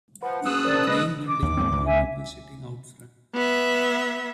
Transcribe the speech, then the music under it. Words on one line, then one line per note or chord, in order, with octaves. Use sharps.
A green building with two people sitting out front.
F3 B4 F#5
C#4 F#4 G#4 D#6 E6 F#6
A#4 C5 D5 A5
G#3 A#3 B4 D#5 A#6
D6
D#2
D#2 G#2 C4
C#2
E5 G#5
B3 E5